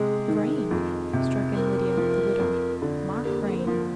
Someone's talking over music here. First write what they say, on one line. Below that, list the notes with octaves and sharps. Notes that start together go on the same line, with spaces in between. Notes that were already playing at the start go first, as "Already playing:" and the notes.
"Vrain!" struck in Lydia, the widow, "Mark Vrain."
Already playing: C3 G#3 G#4
D#3
F2
C3
C4 A#4
F3
F2
D3
A#3 G4
G#4
C5
F3 A#4